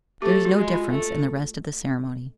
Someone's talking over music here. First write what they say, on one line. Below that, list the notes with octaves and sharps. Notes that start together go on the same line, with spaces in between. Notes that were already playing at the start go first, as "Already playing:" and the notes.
There is no difference in the rest of the ceremony.
A3 G4
F#4
G#3
F4
A3